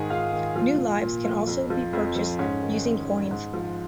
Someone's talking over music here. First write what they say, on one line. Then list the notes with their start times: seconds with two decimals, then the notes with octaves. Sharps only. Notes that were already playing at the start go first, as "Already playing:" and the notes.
New lives can also be purchased using coins.
Already playing: G#2 D#3 G#4
0.10 G#2 F4 F5
0.32 D#3
0.56 A#2 F3 F4
0.78 F3
1.01 A#2
1.24 F3
1.47 F2
1.70 F3
1.93 F2
2.16 F3
2.39 G#2 C#4
2.62 D#3
2.85 G#2
3.08 D#3
3.31 G#2
3.54 F3